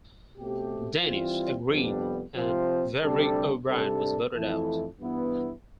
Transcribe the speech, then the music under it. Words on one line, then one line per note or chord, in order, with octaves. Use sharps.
Dennis agreed and Vavrick-O'Brien was voted out.
B2 A3 C4 G4
E3 G3 C4 F4
F2 C3 G3 B3 D4
C3 F3 C4 F4 C5
D2 C3 G3 D4 A4
C3 G3 D4 A4
F2 E3 A3 E4 A4
G2 E3 B3 E4